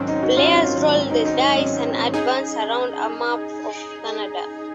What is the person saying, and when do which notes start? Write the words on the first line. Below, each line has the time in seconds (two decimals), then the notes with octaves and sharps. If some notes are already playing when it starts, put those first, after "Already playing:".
Players roll the dice and advance around a map of Canada.
Already playing: G#2 D#3 F#3 C4 C#4
0.08 D#4
0.23 D#4 F#4
0.37 C#4 F4
0.96 C#4
1.11 D#4
1.25 D#4
1.39 D#4
1.55 C#4
2.14 D#4 G#4